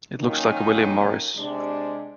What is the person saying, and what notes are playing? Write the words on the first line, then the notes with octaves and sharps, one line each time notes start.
It looks like a William Morris.
F2 D#3 F#3 A#3 C#4 D#4
C3 G#3 D4